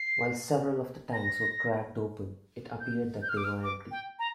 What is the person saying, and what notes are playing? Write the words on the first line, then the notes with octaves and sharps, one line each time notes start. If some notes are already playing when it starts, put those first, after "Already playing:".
While several of the tanks were cracked open, it appeared that they were empty.
Already playing: C7
A#6
G6
G6
F6
D6
F6
D6
G5
A#5